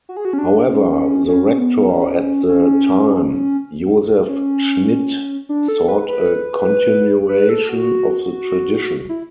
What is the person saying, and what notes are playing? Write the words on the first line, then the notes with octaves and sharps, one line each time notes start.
However, the rector at the time, Josef Schnitt, sought a continuation of the tradition.
F#4
G#4
F#4
C#4
D4
C#4
C#4
B3
C#4
C#4
C#4
D4
A4
B4
B4
B4
A4
F#4
E4